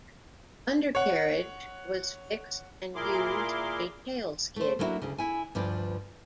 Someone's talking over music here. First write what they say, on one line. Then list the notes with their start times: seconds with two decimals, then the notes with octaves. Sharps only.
Undercarriage was fixed and used a tailskid.
0.95 C#5 F#5
2.95 A#2 E4 G#4 A#4 C6 D6
4.56 A3 C5
4.79 F#3 A#3 B3 D4 E4 F#4
5.02 D2 C#3
5.18 E4 G#5
5.55 D2 G2 F3 B4 D5